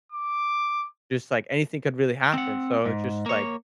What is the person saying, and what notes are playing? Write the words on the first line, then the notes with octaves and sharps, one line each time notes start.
just, like, anything could really happen so it's just, like,
D6
C4 F#5
G#2
A#3 C#5